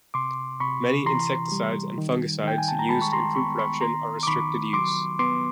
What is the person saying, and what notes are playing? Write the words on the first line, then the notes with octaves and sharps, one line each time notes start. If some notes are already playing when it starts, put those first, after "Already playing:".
Many insecticides and fungicides used in fruit production are restricted use.
C3 C6 D6
C3 B5 C#6
E3 A#5 C6
G3
D#3
D#3 G5
G#5
A5
A#5
G#3 A5 B5
C#6
A#5 C6
B3 B5 C#6
B5 C#6
D#3 A#5 C6
D6
D#3 B5 C#6
F#3 C6 D6
B3 C6 D6